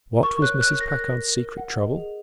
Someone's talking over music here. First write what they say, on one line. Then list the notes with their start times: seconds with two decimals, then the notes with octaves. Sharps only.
What was Mrs. Packard's secret trouble?
0.23 A#4 C#6
0.42 C#5 F#6
0.61 A#4 F#6
0.80 A#4 A#6
1.00 A#4
1.19 A#4
1.37 A#4
1.57 F#5
1.76 D#5
1.96 G#4